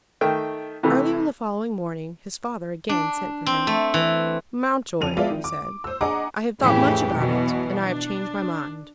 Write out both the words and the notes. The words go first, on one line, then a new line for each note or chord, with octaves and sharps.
Early on the following morning his father again sent for him. "Mountjoy," he said, "I have thought much about it, and I have changed my mind."
D#3 A3 G5
C3 E3 A3
D4
C4
A3
E3
F1 F3 D#7 F7
G#3 B3 F4 D5 E5
D#3
D6
C5 E6
D4 G#4 D#5 F#5 A#5 D6
F2 A2 C#3 E3 G4
B2 E3 F#3
D4